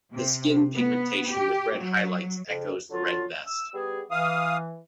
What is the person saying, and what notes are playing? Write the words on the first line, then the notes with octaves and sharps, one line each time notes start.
The skin pigmentation, with red highlights, echoes the red vest.
C3
B3
G4
F#3
F2 C#3
D3 F#3 F4
E6
G3 B3 G#4
E3 F5 D#6